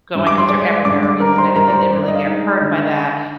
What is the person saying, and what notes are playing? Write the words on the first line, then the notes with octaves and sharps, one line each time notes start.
going." 'Cause they're ever berries and I didn't think they really get hurt by that.
G2
D6
C6
G#3 D5 D6
G2 D5 D6
D5 D6
G2 A#4 A#5
C5 C6
G2 A#4 A#5
D5
C5
G2 D5
D#5
F5
G#3 D#4 D#5
D3
D3